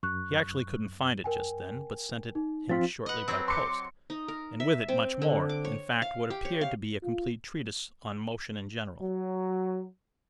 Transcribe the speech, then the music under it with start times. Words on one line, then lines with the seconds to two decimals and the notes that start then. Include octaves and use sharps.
He actually couldn't find it just then, but sent it him shortly by post, and with it much more--in fact, what appeared to be a complete treatise on motion in general.
0.03 F#2 C#6 F#6
1.24 A#4 G5 G#5
2.35 D#4
2.69 F3 C4 F4 A6 B6
3.06 B4 D#5 F#5
3.28 F#3 C4
3.48 C6 D6 C#7
4.10 D#4
4.28 A#4
4.60 E5
4.88 C4
5.22 D3
5.49 D6
5.65 C#5
6.02 F5
6.30 G4
6.45 C#5
6.61 F5
7.03 F4
9.02 F#3